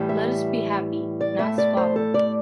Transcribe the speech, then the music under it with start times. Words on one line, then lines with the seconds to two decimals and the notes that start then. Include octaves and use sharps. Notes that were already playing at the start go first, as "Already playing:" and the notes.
Let us be happy, not squabble.
Already playing: A2 E3 G3
0.09 E5
1.21 D5
1.39 A2 A3 E5
1.58 D5
1.77 C5
1.96 A4
2.14 D5